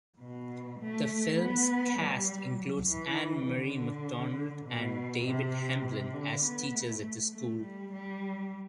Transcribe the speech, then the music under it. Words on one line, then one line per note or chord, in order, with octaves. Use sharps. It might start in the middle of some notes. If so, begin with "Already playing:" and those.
The film's cast includes Ann-Marie MacDonald and David Hemblen as teachers at the school.
B2
A3
B3
G3
F#3
E3
D3
B2
C3
C3
D3
B3
A3
A3
G3
G3